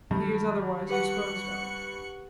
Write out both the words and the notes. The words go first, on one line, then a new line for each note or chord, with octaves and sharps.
He is otherwise disposed of.'
G2 D#3 F#3
G4 B4 F#5 C#6 F#6 C#7